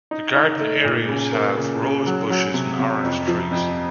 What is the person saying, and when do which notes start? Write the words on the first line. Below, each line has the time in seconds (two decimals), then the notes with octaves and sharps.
The garden areas have rosebushes and orange trees.
0.11 D#4
0.36 D#4
0.60 A3
0.84 A#2
1.09 C#3
1.32 A#3
1.57 C#3
1.82 C#3
2.06 F#3
2.30 F#3
2.54 C3
2.79 C3
3.04 F2
3.28 F3
3.51 F2